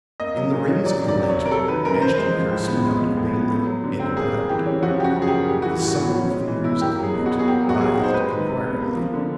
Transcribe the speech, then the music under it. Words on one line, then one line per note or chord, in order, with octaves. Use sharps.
In the rays of the lantern Ashton-Kirk smiled urbanely, and bowed. The supple fingers of the mute writhed inquiringly.
A#3 D#5
F#3
A#2
C#4
F#3 D5
D#3
D5
C3
C#5
C3
A#4
F#3 A4
D#3 B4
F#2 A#4
F#2 C5
G#3 C5
F3
A2
B3
G#3
F3
A2
B3
A3
F#3
D3
C4
A#3 G#4
G3
E3 G4
C#4
F3 F#4
C#3 F#4 G4
F#2
G#4
G4
A#3
G3 G4
E3 F#4
A2
F#4
B3
C#4
G#3
E3
E4
A#3 G4
F#3
G#4
B2
F#4
B2
G#4
A#3 G4
F#3
F#4
A#2 G#4
G4
D#4
C5
G#3 B4
D#3
C3
B3
A#3
F3
D3